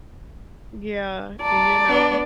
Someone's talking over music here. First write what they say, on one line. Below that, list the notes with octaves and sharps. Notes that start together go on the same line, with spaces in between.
Yeah, and, you know
D5 A5 A#5
B3 D4